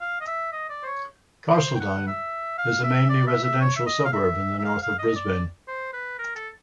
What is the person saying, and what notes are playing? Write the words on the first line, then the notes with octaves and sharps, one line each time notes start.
Carseldine is a mainly residential suburb in the north of Brisbane.
F5
D#5
E5
D#5
D5
C5
C#5
C5
G5
F#5
E5
F5
E5
D5
E5
E5
C#5
E5
D#5
F5
E5
E5
F5
F5
D#5
D5
C5
B4
A#4
A4